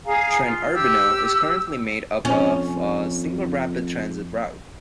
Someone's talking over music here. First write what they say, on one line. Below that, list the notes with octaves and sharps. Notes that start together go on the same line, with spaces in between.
Tren Urbano is currently made up of a single rapid transit route.
G#4 F5 G#5 A#5
F4
G4 E6
F2 C#4